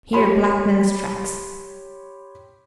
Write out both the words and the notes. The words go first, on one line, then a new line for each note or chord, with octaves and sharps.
Here black man's tracks.
G4 C#5 B5 C6